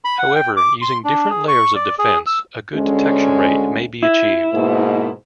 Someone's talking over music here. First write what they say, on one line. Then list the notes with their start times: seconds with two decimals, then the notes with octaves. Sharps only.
However, using different layers of defense, a good detection rate may be achieved.
0.05 B5
0.18 F#5
0.35 G5
0.57 D6
0.82 C6
1.04 D4
1.30 G#4
1.48 C#6
1.75 D5
1.99 G#4
2.27 E6
2.75 D2 G#3 C#4
4.03 E4
4.53 G#2 B2 A#3